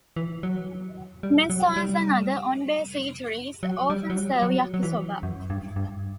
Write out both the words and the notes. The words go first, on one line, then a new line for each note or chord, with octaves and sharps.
Mess halls and other on-base eateries often serve yakisoba.
E3
F#3
G3
F#3
G3
F#3
G3
F#3
G3
F#3
F#3
E3
F#2
G2
G2